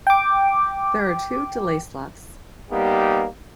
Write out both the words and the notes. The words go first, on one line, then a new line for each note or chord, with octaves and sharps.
There are two delay slots.
G5 D6
G3 A#3 B3 D#4 G4